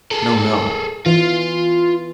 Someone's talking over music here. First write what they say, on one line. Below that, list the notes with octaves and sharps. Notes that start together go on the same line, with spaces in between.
No, no.
G#4 A4
E3 F4